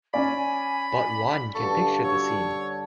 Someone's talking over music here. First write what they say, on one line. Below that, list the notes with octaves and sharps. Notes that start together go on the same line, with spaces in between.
But one can picture the scene.
C#4 D5 G#5 B5
G2 D3 A4 C#6
A4 C#5